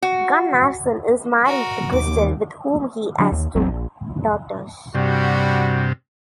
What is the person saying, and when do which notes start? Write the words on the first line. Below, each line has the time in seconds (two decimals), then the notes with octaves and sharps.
Gunnarsson is married to Christel with whom he has two daughters.
0.02 F#4
1.46 F#4 A#4
1.94 D#2 D6
3.19 D3 F#3 D4
3.32 D#2
3.55 G#1 E2 F#3 C4
3.68 A#1
4.95 G2 C3 G3 F#4